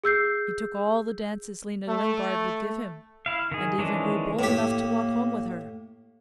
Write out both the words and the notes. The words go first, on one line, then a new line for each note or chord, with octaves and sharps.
He took all the dances Lena Lingard would give him, and even grew bold enough to walk home with her.
G#4 E6 G6 C7
A3
E4 F5
D#3 G#4
D#3 E3 G#3 C#4 D4
A2 A#3 G4